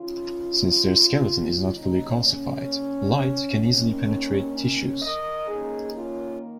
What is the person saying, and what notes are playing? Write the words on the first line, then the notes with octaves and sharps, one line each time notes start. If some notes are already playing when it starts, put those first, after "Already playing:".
Since their skeleton is not fully calcified, light can easily penetrate tissues.
Already playing: D#3 C#4 F4
C#3 A#3 C#4 D#4
C#4
D#3 A#3 C#4
C#4
A#4 D#5
D#3 A#3 C#4 D#4 G#4
C#4 F4